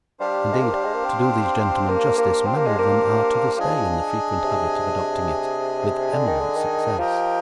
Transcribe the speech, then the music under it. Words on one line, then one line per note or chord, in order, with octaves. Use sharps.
Indeed, to do these gentlemen justice, many of them are to this day in the frequent habit of adopting it, with eminent success.
G3 D4 G4 C5 F5
G#3
A#3
G3
G#3
A#3
C4
A#3
A#3
C4
A#3
G#3
A#3
F3 D4 G#4 D#5 G#5
C3
D3
D#3
D3
D#3
F3 G4 A#4 D#5 G5